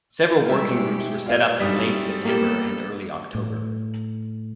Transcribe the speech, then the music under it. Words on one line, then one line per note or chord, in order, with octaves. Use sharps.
Several working groups were set up in late September and early October.
B2 G3 G#3 G4 E5
F4 D5 F5
G#2 F#3 G3 C4 A4 D#6 B6
A#3 B3 G4 A4
A2